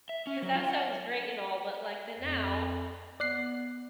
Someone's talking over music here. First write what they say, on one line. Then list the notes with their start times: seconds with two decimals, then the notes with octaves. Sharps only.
'Cause that sounds great and all, but like the now,
0.09 E5
0.27 C#4
0.42 F#3
0.55 F4
0.69 F#5
2.18 F2
3.20 B3 D5 F#6 C7